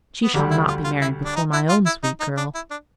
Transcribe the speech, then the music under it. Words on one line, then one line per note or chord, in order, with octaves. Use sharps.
'But she shall not be married before my own sweet girl.
B3
D2 D3 G3 A#3
E4
F4
F4
E4
D4
D#4
E4
F4
E4
D#4
D#4
D4
E4
D4